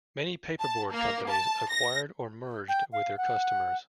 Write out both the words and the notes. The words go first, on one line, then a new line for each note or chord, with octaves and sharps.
Many paperboard companies acquired or merged with their customers.
A5
A#3
A5
A#6
G5
F5
F#5